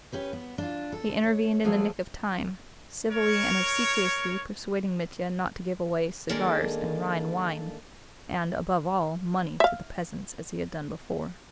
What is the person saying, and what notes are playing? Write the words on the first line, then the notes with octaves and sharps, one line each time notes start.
He intervened in the nick of time, civilly and obsequiously persuading Mitya not to give away "cigars and Rhine wine," and, above all, money to the peasants as he had done before.
C#4 G4 B4
B3
D4 F4
A4
C#5
F3 F#3 A3 G#4 A#4
A#4 C#5
D#3 G#3 A#3 D4 G#4 A4
E5 F5